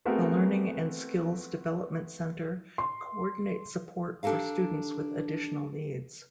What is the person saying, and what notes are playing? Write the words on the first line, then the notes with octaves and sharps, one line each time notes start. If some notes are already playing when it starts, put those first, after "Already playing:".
The Learning and Skills Development Centre co-ordinates support for students with additional needs.
A3 B3 C4 F#4 G#4 A#4
C6
D4 G4 A4 A#4 F5